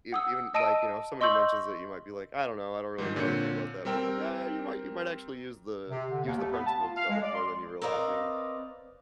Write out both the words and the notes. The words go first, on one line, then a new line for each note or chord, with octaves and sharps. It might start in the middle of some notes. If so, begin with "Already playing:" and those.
ev even, like, you know, somebody mentions that you might be like, "I don't know. I don't really know anything about that," but I'm like, "Yeah. You might you might actually use the use the principles of it more than you realize," you know?
F#5 D#6 E6
D#5 A5 D#6 E6 D7 D#7
D#5 C6 C#6 E6 G6 F#7
G#2 D#3 F3 G3
A#2 D3 C4 C#5 G6 C#7
G3 C4 A#4 G5 E6
C3
D3
D#2
A3
B3
A5
F4
F5
G#3
D5
C6
C4 A#4 B4 D5 D#5 F5